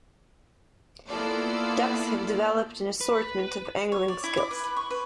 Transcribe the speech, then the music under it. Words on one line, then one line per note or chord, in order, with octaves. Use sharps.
Ducks have developed an assortment of angling skills.
A#3 B3 E4 F4 A4 D5
B4
C#5
D5
E4
D6
B4
B4
C#6
B4